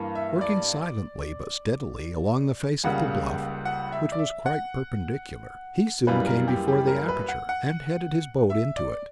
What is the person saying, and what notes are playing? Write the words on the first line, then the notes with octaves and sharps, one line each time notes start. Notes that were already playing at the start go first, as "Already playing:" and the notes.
Working silently but steadily along the face of the bluff, which was quite perpendicular, he soon came before the aperture, and headed his boat into it.
Already playing: G2 E3 A#3
E5
D5
C#2 C#3 G3 A#3 F#5
F#5
E5
D5
E5
F#5
F#2 E3 G3 A#3 B4
A#4
G4
G4
A#4
B4
F#5
F#5
E5
D5